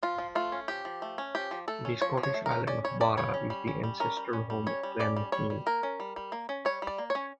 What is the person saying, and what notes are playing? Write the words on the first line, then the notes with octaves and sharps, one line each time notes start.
The Scottish island of Barra is the ancestral home of Clan MacNeil.
F3 F4
F3
A3 F4
C#4
F3 G4
F3
A3
C#4
F3 G4
F3
A3 A4
C#4
F3 C#5
F3
C#5
A3
A#4
C#4
C#4 D5
G3 C#5
C#4 D5
G3 C#5
C#4
G3
C#4
G3
C#4 A#4
G3
C#4
G3
C#4 C#5
G3
C#4 D5
G3
G3 C#5
G3
A#3 A#4
C#4
G3
G3
A#3
C#4
G3 C#5
G3
D5
A#3
C#5
C#4